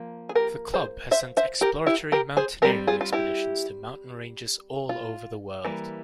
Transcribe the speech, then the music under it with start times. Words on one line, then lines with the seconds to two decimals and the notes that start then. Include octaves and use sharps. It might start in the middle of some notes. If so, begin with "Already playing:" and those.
The club has sent exploratory mountaineering expeditions to mountain ranges all over the world.
Already playing: F3 A#3
0.29 G#4
0.35 G4 A#4
0.74 G#4 C5
1.11 C5 E5
1.37 C5 E5
1.61 G4 A#4
1.87 E4 G4
2.12 G4 A#4
2.37 G#4 C5
2.62 G3 C4 G4 A#4
2.87 F4 G#4
3.01 F4
3.13 E4 G4
4.89 F4
5.64 E3 G3 A#3